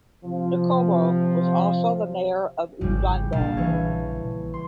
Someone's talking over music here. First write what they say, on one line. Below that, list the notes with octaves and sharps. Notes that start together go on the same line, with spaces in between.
Ngcobo was also the mayor of Ulundi.
C3 F3
G#1 C#3 G3 E4
A#1 F5 A5
E3 C#5
C6